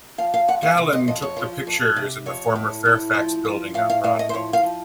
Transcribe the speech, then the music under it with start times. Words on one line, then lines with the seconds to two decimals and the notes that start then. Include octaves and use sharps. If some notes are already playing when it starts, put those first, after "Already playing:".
Dallen took the pictures in the former Fairfax building on Broadway.
0.18 F3 F5
0.34 F5
0.48 F2 F#5
0.63 F5
0.78 C3
0.93 D#5
1.07 F2 D#5
1.22 C#5
1.37 F3
1.67 F2
1.96 C3
2.26 F2 C#5
2.56 A2
2.85 A2
3.15 F3
3.45 F3
3.74 A2 F5
3.90 F5
4.04 A2 F5
4.19 D#5
4.29 C5
4.34 F3 C#5
4.53 F5
4.63 F3